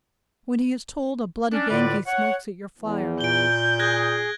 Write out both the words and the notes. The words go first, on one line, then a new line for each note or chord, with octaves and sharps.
When he is told a bloody Yengee smokes at your fire?
C#4 D4
A2 D3 F4 B4 D5
C#5 F#5
E2
A#2 G6 D7 G7
G#4 F#6 G#6 A#6